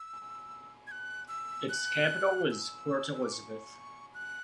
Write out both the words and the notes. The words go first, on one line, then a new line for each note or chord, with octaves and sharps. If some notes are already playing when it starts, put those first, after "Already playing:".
Its capital is Port Elizabeth.
Already playing: E6
G#6
F#6
E6
F#6
E6
E6
D6
C#6
F#6